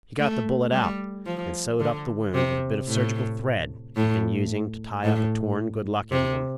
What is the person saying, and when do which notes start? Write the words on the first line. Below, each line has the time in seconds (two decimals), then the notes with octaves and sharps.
He got the bullet out and sewed up the wound with a bit of surgical thread he'd been using to tie up a torn good-luck emblem.
0.18 A3
0.72 G3
1.26 F3
1.80 D3
2.34 C3
2.88 A2
3.96 A2
5.04 A2
6.12 C3